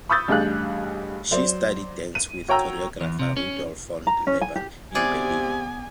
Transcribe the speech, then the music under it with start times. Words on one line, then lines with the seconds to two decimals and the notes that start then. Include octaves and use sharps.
She studied dance with choreographer Rudolf von Laban in Berlin.
0.09 B5 C#6 D#6 E6 G6 A6
0.28 A1 G2 G4 G#4 F5 F#6
1.31 F#3 C5 D5
2.15 D#7
2.48 F#4 C#5 G5 A#5 E6
3.01 E2
3.19 C3
3.37 C#4
4.07 A#5
4.27 C#4
4.41 G#5
4.56 G4
4.95 C3 B3 G#4 D5 G#5